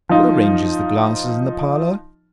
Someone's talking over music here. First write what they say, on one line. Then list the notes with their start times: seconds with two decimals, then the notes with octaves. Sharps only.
Who arranges the glasses in the parlor?
0.09 F3 D#4 F4